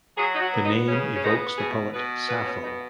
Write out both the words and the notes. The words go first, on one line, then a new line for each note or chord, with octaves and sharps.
The name evokes the poet Sappho.
F#3 G#4
D#4
F#4
B3
D#4
C#3 C#4
C#4
B3 D#4
B2 G#4
B2 B4
B3 B4
C#4
B2 D#4